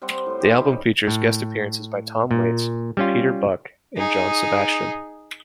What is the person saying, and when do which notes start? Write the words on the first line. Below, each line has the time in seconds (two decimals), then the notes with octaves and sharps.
The album features guest appearances by Tom Waits, Peter Buck and John Sebastian.
0.02 G3 C4 C5 F#5
0.26 A2 C6
0.40 F3 D#4 G4
0.58 G3 C#4 B5
1.07 A2
2.31 A#2
2.97 G3 C#4 F4
3.97 D#4 G#4